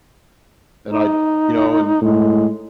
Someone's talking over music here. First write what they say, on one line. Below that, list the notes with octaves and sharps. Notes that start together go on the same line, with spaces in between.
and I you know, and
D#4
A2 G#3